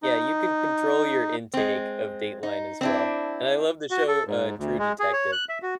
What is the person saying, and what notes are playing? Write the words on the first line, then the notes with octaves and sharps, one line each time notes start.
Yeah, you can control your intake of Dateline as well, and I love the show, uh, True Detective.
D#4
G#3 C4
D#4
C4 D4 E4
F#4
A4
G#2
D2
G#3
G#4
C#5
F#6
E5
F#4